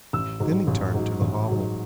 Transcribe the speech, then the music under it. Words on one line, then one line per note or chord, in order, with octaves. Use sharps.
Then he turned to the hovel.
A1 E6
G#2 F#3
A1
G#2 F#3
A1
G#2 F#3